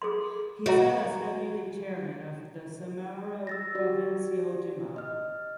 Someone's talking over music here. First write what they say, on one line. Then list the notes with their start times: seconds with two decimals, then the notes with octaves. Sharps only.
He sat as Deputy Chairman of the Samara Provincial Duma.
0.02 G#4 A4 C6
0.66 F#4 C#5 D#5 A#5
3.47 E6 A6 A#6
3.75 F#4 G4 D5
4.96 D#5 F6